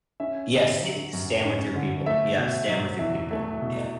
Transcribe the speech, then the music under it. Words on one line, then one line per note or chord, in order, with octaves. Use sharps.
Yes, st stand with your people. Yeah, stand with your people, yeah.
C#4 E5
D3
F#3
F#2
C#4
D3
A3 E5
B2
F#3
E2 E5
A3
B2